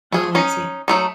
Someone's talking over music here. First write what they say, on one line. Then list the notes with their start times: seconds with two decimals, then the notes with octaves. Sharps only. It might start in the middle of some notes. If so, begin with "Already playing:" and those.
Oh, I see.
0.12 A3 G#4
0.35 C#4 D#4
0.88 F#3 A3 D#4